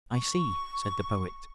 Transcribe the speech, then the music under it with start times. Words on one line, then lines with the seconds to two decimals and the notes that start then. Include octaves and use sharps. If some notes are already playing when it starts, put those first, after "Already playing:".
"I see," said the Poet.
0.13 C#6